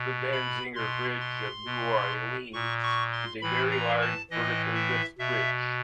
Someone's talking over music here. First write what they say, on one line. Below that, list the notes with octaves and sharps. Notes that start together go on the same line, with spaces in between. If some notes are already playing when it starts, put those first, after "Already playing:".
The Danziger Bridge of New Orleans is a very large vertical lift bridge.
Already playing: B2
B5
B2 C6
C6
B2
A#2 C#6
C#6
C6
A2 E3 B5
A#5
A5
A2 E3 D#5
E5
B2 E5